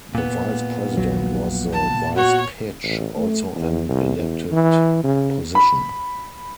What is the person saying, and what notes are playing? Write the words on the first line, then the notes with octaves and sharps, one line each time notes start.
The Vice President was the "vice-pitch", also an elected position.
A#2 B3
A#1 F#3
A5
F#4 C#5
A1
A3
E2
C2
E2
E3
C#3
B5